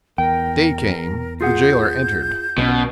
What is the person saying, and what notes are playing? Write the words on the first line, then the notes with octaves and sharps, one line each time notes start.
Day came, the jailer entered.
E2 A#4 G5
F4 G#4 F#5 G6
B1 B2 C4 C#4